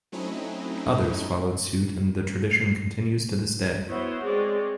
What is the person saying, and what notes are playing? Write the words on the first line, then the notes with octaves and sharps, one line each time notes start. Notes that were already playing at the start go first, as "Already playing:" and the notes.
Others followed suit and the tradition continues to this day.
F#3 A3 C4 C#4 D#4 E4
B3 E4 F#4 C5 C#5
G#3 C4 C#5 D5